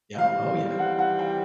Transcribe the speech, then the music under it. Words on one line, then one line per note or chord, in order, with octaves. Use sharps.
Yeah, oh yeah.
E3 G3 C4 F5
F#5
F#5
G5